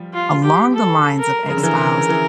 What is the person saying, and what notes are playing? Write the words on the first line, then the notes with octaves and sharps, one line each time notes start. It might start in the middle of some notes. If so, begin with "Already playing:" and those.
along the lines of X-Files.
Already playing: F3 G3
F4
G4
A4
A#4
C#3
D3
E3 A#4
E3